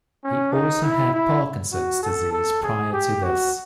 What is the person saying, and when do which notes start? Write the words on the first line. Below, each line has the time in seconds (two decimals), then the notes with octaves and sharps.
He also had Parkinson's disease prior to this.
0.24 C#4
0.53 D#4
0.83 E4
1.14 E4
1.73 F#4
2.03 A4
2.33 A4
2.63 G#4
2.93 G4
3.23 F#4